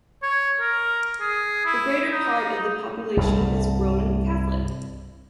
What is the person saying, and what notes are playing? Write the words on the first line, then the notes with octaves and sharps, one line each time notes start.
The greater part of the population is Roman Catholic.
C#5
A#4
G#4
E4
D#4
C2 G2